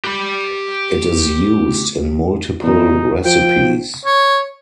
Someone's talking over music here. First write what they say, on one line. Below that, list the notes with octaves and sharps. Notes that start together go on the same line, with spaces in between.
It is used in multiple recipes.
G4 B5
E2 D#4
F3 G5
C#5